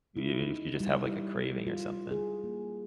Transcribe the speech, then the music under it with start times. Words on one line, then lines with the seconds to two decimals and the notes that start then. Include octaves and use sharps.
you you could just have, like, a craving or something.
0.17 E4
0.42 D#4
0.80 G3
1.06 E4
1.67 F4
2.11 G#4
2.44 A#3